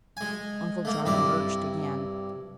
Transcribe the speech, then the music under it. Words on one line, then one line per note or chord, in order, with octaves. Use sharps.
Uncle John emerged again.
G#3 G#5
A3 A#3
G2 C3 E4 D5